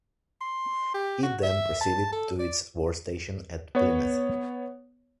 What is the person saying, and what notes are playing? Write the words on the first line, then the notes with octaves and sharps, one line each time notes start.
It then proceeded to its war station at Plymouth.
C6
G4
F#4
E5
A5
A4
D5
B3 C#5